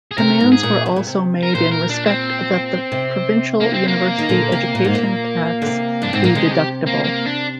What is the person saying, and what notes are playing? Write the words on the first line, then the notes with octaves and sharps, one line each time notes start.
Demands were also made in respect that the provincial university education tax be deductible.
G#4
C3 A#4
G#2
G#4
A#2
C3
A#2
C3
A#4
A#2 C5
A#4
D4
C4
C3
A#3
C4
A#3
D#3
A#2 D3
C3
A#2
G#2
A#2
D3
C3
G2 D4
G#2 C4
A#2 A#3
C3 G#3
G#4
G4
A#3
A#3
D4